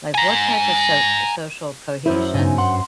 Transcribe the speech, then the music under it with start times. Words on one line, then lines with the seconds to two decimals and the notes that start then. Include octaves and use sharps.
Like, what type of so social cohesions
0.15 G#5 A#5
2.06 F#2 E4 C5 E5
2.34 G2 C#3 D#4 G#5
2.58 F#5 C6